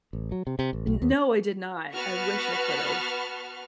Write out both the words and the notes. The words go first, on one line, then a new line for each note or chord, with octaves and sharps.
N no, I did not, I wish I could have.
A1
F#3
C3
C3
A1
B1
D#2
B3 F#4 B4 A5 C#6 F6